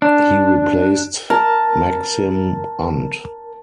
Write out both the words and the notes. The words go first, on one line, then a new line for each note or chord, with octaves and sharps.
He replaced Maksim Unt.
D4
A#4 A5